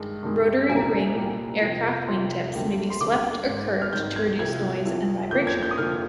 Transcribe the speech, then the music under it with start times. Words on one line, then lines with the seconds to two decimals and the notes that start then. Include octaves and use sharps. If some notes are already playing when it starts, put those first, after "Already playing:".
Rotary wing aircraft wingtips may be swept or curved to reduce noise and vibration.
Already playing: G2 D#3 G#3
0.23 G2 D#3 G#3
0.69 C2 A#2 G3 A#3 G#5
0.76 A#5
0.83 G#5
1.15 C2 A#2 G3 A#3
1.62 F1 F2 C3 F3
2.07 F1 F2 C3 F3 C6
2.54 D2 D3 G3 A#3
2.90 C6
3.00 D2 D3 G3 A#3 D6
3.46 G#1 G#2 D#3
3.82 F6
3.93 G#1 G#2 D#3 G6
4.16 G#6
4.39 C2 C3 F3 G#6
4.85 C2 C3 F3
5.31 F2 D3 F3 A#3 G6
5.47 G#6
5.63 G6
5.71 D#6
5.78 F2 D3 F3 A#3 F6